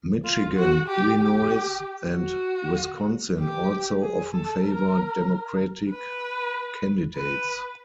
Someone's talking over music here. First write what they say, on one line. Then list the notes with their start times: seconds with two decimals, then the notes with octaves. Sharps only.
Michigan, Illinois, and Wisconsin also often favor Democratic candidates.
0.25 F4
0.56 F#4
0.88 G4
1.19 G4
2.13 F#4
3.40 G4
4.02 G#4
4.33 A4
4.65 A#4
5.90 B4
7.16 B4